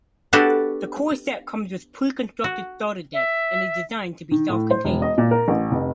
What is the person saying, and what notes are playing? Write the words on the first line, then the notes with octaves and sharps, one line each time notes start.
The core set comes with pre-constructed starter decks, and is designed to be self-contained.
B3 D4 F#4 G4 A4
F#4
E5
D#3
A2
C5
E1
D#5
A#2
A#4
A1
F1